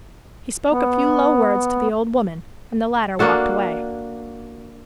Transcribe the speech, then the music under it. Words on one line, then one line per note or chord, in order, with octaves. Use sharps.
He spoke a few low words to the old woman, and the latter walked away.
B3
A#3 D4 F#4 A4